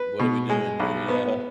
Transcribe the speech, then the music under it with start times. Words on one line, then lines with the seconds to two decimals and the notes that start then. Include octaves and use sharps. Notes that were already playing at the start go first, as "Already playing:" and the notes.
"What are we doing here?" Yeah.
Already playing: B4
0.19 B2
0.49 G#3
0.79 B1
1.09 B3